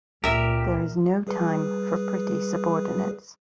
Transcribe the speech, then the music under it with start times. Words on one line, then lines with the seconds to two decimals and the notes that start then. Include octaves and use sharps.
There is no time for pretty subordinates.
0.24 C#2 A#2 G4 A#4 E5
1.27 G3 G#4 B4